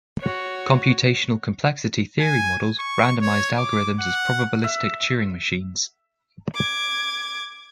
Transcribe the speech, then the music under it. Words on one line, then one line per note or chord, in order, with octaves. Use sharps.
Computational complexity theory models randomized algorithms as "probabilistic Turing machines".
F#4 C#5
G#5
C#6
C#5
D6
F#5
E5
D6 G#6